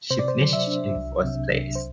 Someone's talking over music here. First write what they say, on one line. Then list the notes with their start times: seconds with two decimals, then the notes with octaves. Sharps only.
She finished in fourth place.
0.11 C3 C5
0.19 D5
0.28 C5
0.39 F#3
0.53 E5
0.67 D4
0.96 C2
1.24 C3
1.52 C2
1.75 C5